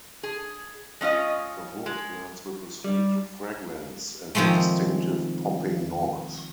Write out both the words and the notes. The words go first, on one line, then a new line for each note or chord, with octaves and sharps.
The wood burns with a sweet fragrance and a distinctive popping noise.
G#4
G#3 C#4 F4 D#5
G#3
G3
C3 D#3 F3 G#3 A3